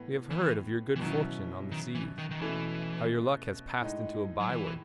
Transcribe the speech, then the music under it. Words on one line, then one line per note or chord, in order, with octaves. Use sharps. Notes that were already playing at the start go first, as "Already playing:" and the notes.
We have heard of your good fortune on the seas--how your luck has passed into a byword.
Already playing: A2 E3 B3
E3
E3
B2 D#3 F#3 C#4 E4
D#3
E3
D#3
D#3
B2 E3 A3 C#4 E4
A2 G#3 D#4
F#3
E3